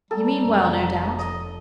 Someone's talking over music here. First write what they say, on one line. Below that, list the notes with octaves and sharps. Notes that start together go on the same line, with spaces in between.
'You mean well, no doubt.
G3 A4 A#5
F1
D#5